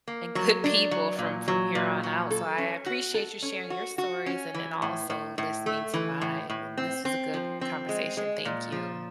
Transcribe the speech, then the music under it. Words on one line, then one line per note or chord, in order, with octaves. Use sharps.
and good people from from here on out. So I I appreciate you sharing your stories and and also listening to mine. And this was a good conversation. Thank you.
A#3
F#3
D4
F#3
A#2
F#3
A#2
F#3
A4
C#4
F#4
A4
C#4
F#4
F#4
C#4
E3
A2
A2
A2
A3
E3
A2
A2
C4
C4
F3
C4
G#3
G#3
A#2
F3